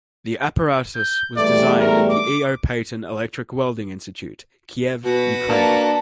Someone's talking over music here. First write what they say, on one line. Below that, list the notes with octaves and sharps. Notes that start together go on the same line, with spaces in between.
The apparatus was designed at the E. O. Paton Electric Welding Institute, Kiev, Ukraine.
G6
E2 G3 A3 D5
A#4
D6
B2 F#4 B4
A#3 D4 A5